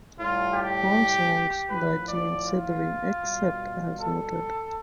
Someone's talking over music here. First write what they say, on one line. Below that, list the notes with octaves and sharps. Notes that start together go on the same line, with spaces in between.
All songs by Jane Siberry, except as noted.
A2 G3 F4
G4
A2 F3 B4
D5
F4
B2 G3
A4